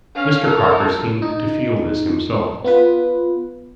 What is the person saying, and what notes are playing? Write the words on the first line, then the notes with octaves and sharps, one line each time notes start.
Mr. Crocker seemed to feel this himself.
C#4 F5
A4 A#4
D#4
B3 F4 B4